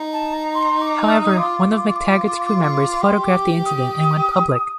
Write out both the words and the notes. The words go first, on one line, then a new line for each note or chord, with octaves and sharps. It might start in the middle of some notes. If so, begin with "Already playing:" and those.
However, one of McTaggart's crew members photographed the incident and went public.
Already playing: D#4
A5
A#5
C6
D6
F6
D#6
F4 D6
G4 C6
D6
D#6